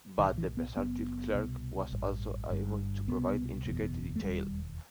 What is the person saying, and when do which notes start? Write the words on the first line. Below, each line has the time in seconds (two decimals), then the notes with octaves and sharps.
But the versatile Clarke was also able to provide intricate detail.
0.18 B1 A2 D#3
0.38 E3
0.57 B3
0.76 F#1 F#2 B3
1.34 C2 B2
1.93 A1 G2
2.50 G1 G2
3.08 C2 B2 B3
3.66 F#1 E2 B2
4.16 A3
4.24 E1 D#2 G3